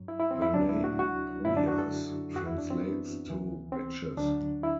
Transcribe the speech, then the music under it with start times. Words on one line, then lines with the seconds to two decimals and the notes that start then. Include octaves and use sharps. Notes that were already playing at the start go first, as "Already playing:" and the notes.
The name Brujas translates to "Witches".
Already playing: G2 F#3
0.08 E4
0.19 E4
0.31 C4
0.42 E4
0.54 D2 C3 F#3 D4
0.69 E4
0.84 F#4
0.99 F#4
1.45 F#2 D3 F#3 E4
1.57 D4
1.68 F#4
1.78 A4
2.35 F#2 F#4
2.39 E3
2.46 E4
2.58 D4
2.70 C4
2.81 B3
3.27 D2 C3 E3
3.72 C4
4.17 D2 D3 F#3 D4
4.63 E4